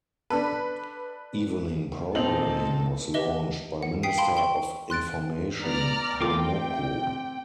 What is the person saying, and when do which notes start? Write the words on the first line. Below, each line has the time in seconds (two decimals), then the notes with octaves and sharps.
Evening programming was launched by Minister of Information Harmoko.
0.30 D4 A4 B4 A5
2.15 A#2 C4 D#4 A4 F#7
3.14 G4 B4 D#5 E5 G7
3.83 F#5
4.03 G5 D#6 B6 C7 D#7
4.17 F5 G5 A5 B5 C6
4.37 G5 C6 C#6
4.90 C6 F#6 A6 D7
5.64 B3 D5 A#5 F6
6.21 A3 C4 F4 A#4 G5 D6